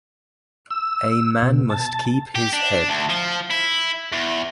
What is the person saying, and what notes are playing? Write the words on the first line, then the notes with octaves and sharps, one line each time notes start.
A man must keep his head.
E6
B2
A5
G4
D4
D2
F3
E4
E2